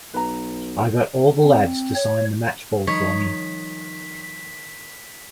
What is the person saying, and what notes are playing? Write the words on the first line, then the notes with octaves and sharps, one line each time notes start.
I got all the lads to sign the match ball for me.
B1 B4 A#5
C4
C#5
D#3 F3 G3 C#5 B6